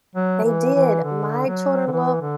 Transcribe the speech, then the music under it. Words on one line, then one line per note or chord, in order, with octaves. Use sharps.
They did, my children loved
F#3
E3
E3
D3
F#3
D3
E3
D3